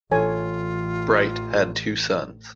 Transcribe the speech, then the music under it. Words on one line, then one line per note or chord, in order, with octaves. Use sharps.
Bright had two sons.
A1 E3 F4 A4 C#5 G#5